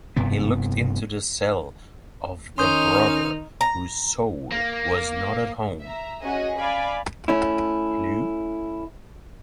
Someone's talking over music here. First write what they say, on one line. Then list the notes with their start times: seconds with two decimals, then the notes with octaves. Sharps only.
He looked into the cell of the brother whose soul was not at home.
0.16 F1 G2 C3 B3
2.58 D#3 C#4 D#4 C6 D#6 F6 G6
3.61 A#5
4.52 A#3
5.84 E5 A#5
6.22 C#4 F#4 G#4 D#5
6.57 D5 F5 G#5 B5
7.28 A3 C#4 E4